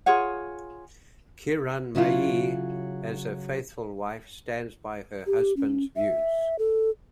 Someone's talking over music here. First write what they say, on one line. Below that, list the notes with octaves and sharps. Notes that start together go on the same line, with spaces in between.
Kiranmayee as a faithful wife stands by her husband's views.
F4 G#4 C#5 F#5
C#3 F#3 E4 F4
G4
C#4
E5
A4